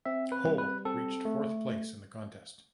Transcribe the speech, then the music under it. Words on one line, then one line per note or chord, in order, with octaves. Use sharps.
Hole reached fourth place in the contest.
C4 E5
B4
G3
B4
C4 A4
A3